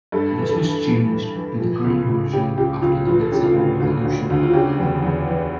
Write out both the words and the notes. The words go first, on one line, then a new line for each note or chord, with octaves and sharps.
This was changed to the current version after the Mexican Revolution.
G2 A4
E3
A4
E3
E3
E3
E3
F3
C#2
C#2
C#3 G4
C#2 G4
C#2 F4
E3 F4
A4
C#3 G4
F4
D2
D2
D2
D2
F4
C#3 G4
E2
E2
E3